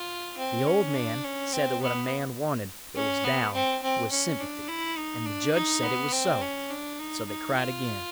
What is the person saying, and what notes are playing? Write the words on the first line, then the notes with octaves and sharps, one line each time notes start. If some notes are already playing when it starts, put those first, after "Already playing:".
The old man said that what a man wanted that was down was sympathy, and the judge said it was so; so they cried again.
Already playing: F4
C4
C#4
D4
C#4
C4
B3
C#4
B3
C4
C4
C#4
D4
E4
D#4
D4
D#4
B3
C4
C#4
D4
D#4
D#4
F4